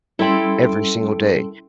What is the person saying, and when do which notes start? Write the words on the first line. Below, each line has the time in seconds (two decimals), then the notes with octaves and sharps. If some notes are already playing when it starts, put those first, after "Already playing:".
every single day.
0.19 G3 C#4 E4 A4 C#5 G5 B5 C6